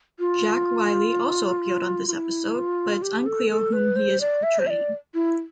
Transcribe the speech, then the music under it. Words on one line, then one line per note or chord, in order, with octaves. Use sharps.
Jack Riley also appeared on this episode, but it's unclear whom he is portraying.
F4
F4
E4
F4
G4
A4
A4
B4
C5
D5
E5
C5
E5
D5
E4